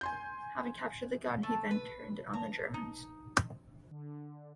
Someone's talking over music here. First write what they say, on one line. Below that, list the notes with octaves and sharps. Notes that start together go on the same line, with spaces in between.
Having captured the gun, he then turned it on the Germans.
G#5 C6 G6
A3
B4
A#5
D#4
D3